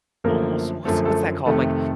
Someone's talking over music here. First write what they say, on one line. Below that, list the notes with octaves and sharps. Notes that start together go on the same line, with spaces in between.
almost what's what's that called? Like
F#2 D3 F3 A3 A#3 A#4
F#2 D3 F3 A3 A4
A3 A4
F2 C3 D#3 A3 A4